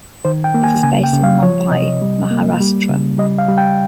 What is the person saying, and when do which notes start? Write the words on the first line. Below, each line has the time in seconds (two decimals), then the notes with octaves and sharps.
It is based in Mumbai, Maharashtra.
0.25 D#3 C5
0.44 G5
0.54 A#3
0.64 G#5
0.83 C#3 G#5
1.04 G5
1.13 C#3
1.24 F5
1.42 F3 C#5
1.71 C3 D#5
2.02 G3
2.31 A#3
2.60 G3
2.89 C#3
3.18 G3 D#5
3.38 F5
3.49 G3
3.58 G5